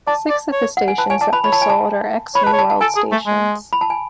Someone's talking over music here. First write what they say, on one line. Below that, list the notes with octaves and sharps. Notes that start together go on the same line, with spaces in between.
Six of the stations that were sold are ex-New World stations.
D5 A5
D5
C#5
F#5
G#5
B4 A5
C#5 G#5
D5 A5
B4 B5
C#5 B5
A5
G#5
A5
C#5 B5
B4 A5
C#5
A5
A5
A4 G#5
G#4
A3
G#3
B5
A5
G#5